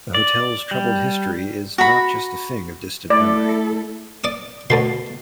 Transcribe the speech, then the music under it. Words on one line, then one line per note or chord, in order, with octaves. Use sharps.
The Hotel's troubled history is not just a thing of distant memory.
D5
G3
F#4 A#5 B5
A3 E4 A4 D5
D5 D6 D#6
D2 B2 D3 C6